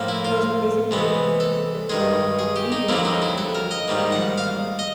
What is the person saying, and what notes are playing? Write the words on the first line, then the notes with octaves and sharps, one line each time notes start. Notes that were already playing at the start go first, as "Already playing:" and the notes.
those basic necessities because, you know, when you're grieving, sometimes you don't take care of yourself,
Already playing: A2 F3 A#3
E4
F4
C3 E3 G#3 B3
A4
G2 D#3 G#3 G#4
G#4
G4
D#4
F2 D3 F#3 A#3 D4 E4
D#4
E4
A4
A#4
D#5
G#2 D#3 G3 A#3
F#5
F5
D#5